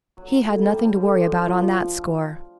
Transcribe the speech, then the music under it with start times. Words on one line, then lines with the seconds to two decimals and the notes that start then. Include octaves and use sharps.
He had nothing to worry about on that score.
0.17 F#3
0.42 A2
0.67 G3
0.94 D3
1.19 F3
1.44 F3